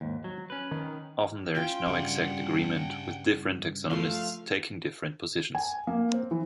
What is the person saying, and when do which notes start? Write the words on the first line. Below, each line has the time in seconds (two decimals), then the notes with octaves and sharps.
Often there is no exact agreement, with different taxonomists taking different positions.
0.01 D#2 G#2
0.24 F#3
0.50 C#4 B4
0.71 D#3
1.56 C#4 F4 G5
1.87 G2 C#3 G3 F#5 G5
3.91 F3 A3 F5
5.55 G#5
5.87 A#3
6.13 C4
6.31 E3